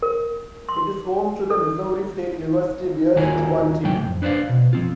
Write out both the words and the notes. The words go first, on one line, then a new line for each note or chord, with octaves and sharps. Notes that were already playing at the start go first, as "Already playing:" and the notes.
It is home to the Missouri State University Bears football team.
A#4
C6
A4
D#2 D#3 F4 F#4 A#4 G#5
A2 C#3 F#3 G5
F2
D4 B4 C5 D5 F5
B2
F3 C4 F4